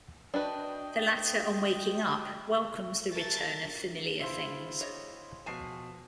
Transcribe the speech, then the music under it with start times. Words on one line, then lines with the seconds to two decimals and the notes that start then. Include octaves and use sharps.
The latter, on waking up, welcomes the return of familiar things.
0.34 D4 F#4 B4 D#5 G5
3.13 A3 A#4 A6
4.20 E4 F4 C5
4.81 C#5 D#5
5.46 B2 F3 G#5 C7 E7